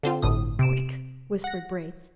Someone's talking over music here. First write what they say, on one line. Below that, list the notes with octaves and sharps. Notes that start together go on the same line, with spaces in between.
"Quick!" whispered Braith.
D3 C4 F4
G1 A2 D#6
C3 D7 E7
F#5 A#6